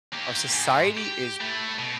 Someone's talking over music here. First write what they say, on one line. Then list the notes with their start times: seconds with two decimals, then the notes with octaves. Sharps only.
our society is
0.14 A#3 G4
0.53 G#2
0.97 G4
1.41 A3 E4
1.79 B2